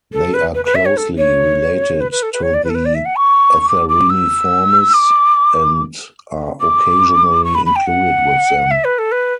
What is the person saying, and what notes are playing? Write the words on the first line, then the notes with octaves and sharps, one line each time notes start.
They are closely related to the Atheriniformes and are occasionally included with them.
A4
B4
B4
B4
E5
C#5
A4
C#5
B4
B4
A4
B4
C#5
D5
B4
A4
B4
D5
E5
F#5
C#6
D6
D6
E6
D6
D6
C#6
B5
B5
G5
F#5
E5
B4
A4
B4